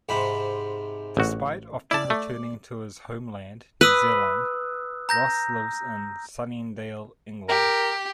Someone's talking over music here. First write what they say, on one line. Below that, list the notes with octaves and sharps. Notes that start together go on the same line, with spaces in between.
Despite often returning to his homeland New Zealand, Ross lives in Sunningdale, England.
G#2 C3 B5
A1 F#4
E4 D5 A5
A3
B4 D#6 E6 F#6
A#5 G6 A#6
G4 A#4